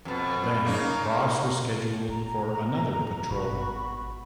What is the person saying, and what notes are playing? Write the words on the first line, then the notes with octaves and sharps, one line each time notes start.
Then Voss was scheduled for another patrol.
F2 B2
C#3 A#3 D#4
A#2 A#5
G#1 B2 F#4 B5 C#6